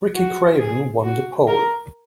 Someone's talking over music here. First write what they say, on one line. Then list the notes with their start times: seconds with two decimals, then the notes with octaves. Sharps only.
Ricky Craven won the pole.
0.15 F#4
0.59 G#4
1.04 F#4
1.48 A#4